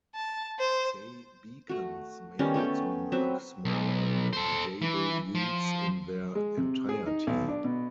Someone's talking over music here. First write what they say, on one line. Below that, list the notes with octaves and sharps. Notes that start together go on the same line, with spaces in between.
Day beacons may also mark smaller navigable routes in their entirety.
A5
C5
A3 F#4
D#3 G3 B3 C#4
A3 B3 A4 G5
F#3 C4 B4 E5
B1
A4 C5
E3
F3
G#3
C3
G#4
D#4
B1
D4
B2